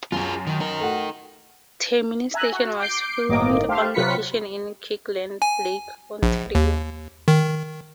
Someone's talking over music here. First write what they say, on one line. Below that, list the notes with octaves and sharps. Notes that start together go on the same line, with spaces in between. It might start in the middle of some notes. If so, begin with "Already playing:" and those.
Termini Station was filmed on location in Kirkland Lake Ontario.
F#2 F4 G#4
D#3
D#4 A#4
A3 F#4
E5 G#5 A#5 F#6
F#4
D6 G6 C7 D7
G1 A2 D#3 A#3 D#5 D6
A3 G4 C5 F5
C3 F#3 F4 B4 B6 C#7
G#5
A#1
D#2
D#3